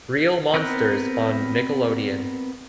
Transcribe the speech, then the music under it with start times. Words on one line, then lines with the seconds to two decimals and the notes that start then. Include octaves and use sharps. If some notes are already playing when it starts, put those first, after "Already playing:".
Real Monsters on Nickelodeon.
0.54 B3 C4 A#4 G5 F#6